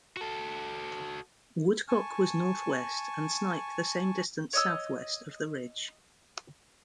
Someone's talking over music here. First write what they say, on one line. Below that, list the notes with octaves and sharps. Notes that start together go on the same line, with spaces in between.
Woodcock was north-west and Snipe the same distance south-west of the ridge.
F#4 A4
G#5 A5 C#6
C#5 D#5 E6